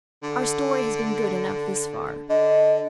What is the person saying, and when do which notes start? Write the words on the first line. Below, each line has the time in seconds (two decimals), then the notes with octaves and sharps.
Our story has been good enough, thus far.
0.23 D3
2.29 D3 D#5